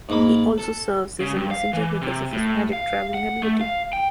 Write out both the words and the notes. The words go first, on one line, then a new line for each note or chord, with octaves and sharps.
He also serves as a messenger because of his magic travelling ability.
G#2 A#3 B5
A4
C#3
G2
F5
E3
C3
A2
F5
F#5
A3
F5
G5